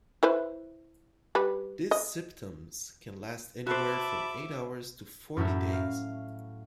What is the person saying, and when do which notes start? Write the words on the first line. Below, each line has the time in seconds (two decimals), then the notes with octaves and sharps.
These symptoms can last anywhere from eight hours to forty days.
0.23 E4 B4 C5
1.35 G3 B4
1.91 D#5
3.67 F#4 C5 E5 A5 B5 D6
5.37 F#2 A2 F#3 E4
5.73 F5